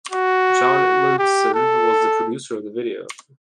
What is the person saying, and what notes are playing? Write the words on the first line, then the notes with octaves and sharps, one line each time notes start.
John Linson was the producer of the video.
F#4
G4
A4